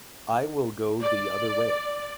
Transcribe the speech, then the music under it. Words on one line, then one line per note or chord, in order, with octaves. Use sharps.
I will go the other way.
D5